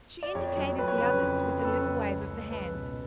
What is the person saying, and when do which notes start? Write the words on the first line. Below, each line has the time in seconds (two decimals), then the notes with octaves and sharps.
She indicated the others with a little wave of the hand.
0.23 D5
0.35 F2 C#5
0.57 F#3
0.78 F2 B4
0.88 C#5
0.98 C#3 B4
1.22 F2
1.43 F#3
1.59 B4
1.65 F2 A4
1.87 C#3
2.09 C#2
2.31 G#3
2.52 C#2 B4
2.74 B2